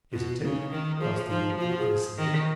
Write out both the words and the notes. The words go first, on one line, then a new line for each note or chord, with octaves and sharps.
"Isn't it?" asked the warden, innocently.
B2 F4
F#4
C#3 D#4
C#4
D#4
D#3 A#4
F3 G#4
G#4
F3 D#4
F3 F4
F#4
G#4
D#3